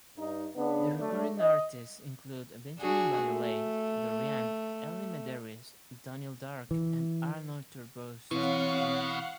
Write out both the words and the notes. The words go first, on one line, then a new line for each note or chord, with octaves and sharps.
The recording artists include Benjamin Biolay, Doriand, Elli Medeiros, Daniel Darc, and Arnold Turboust.
G2 D#4
C#3 B3 D4
F#3 A3 D4
D#5
D4 F#4 G#4
A3
E3
B2 E3 C4 C#5 F5 F#5